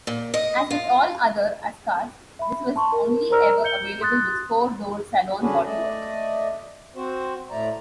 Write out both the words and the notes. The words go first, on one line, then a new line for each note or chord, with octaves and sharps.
As with all other Askas, this was only ever available with four-door saloon bodywork.
A#2
D#5
F4
E5 B5
A5 C6 C#6
A#4
A#4 C5 D5 A#5 E6 F6
G6 C#7 G7
C6 D#6 F#6 A6
D3 C#4 D4 F#4 G#4 B4
A3 D5 D#5
C4 F#4 C5
A2 A3 D5 A#5